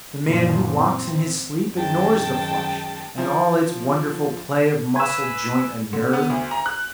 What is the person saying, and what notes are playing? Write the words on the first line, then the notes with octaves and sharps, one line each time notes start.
The man who walks in his sleep ignores the flesh and all its wonderful play of muscle, joint, and nerve.
F#2 A#2 E3 F3
C4
F#2 D#3 G#3 G5 A5
F3
B4 G#5 E6
D3
B3
D2
A#5
F#6